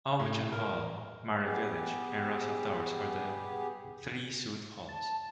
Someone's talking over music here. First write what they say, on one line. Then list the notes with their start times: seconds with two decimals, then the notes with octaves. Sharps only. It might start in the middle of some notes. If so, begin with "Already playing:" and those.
Aubuchon Hall, Mara Village, and Russell Towers are the three suite halls.
0.20 A2
0.52 A#4
1.43 B3 G4 G#4
4.89 A5